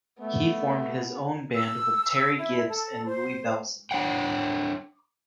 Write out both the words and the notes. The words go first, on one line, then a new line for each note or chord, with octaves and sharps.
He formed his own band with Terry Gibbs and Louie Bellson.
A3 B3
E6
E4
A4
C5
D4 C#5 F#5 G5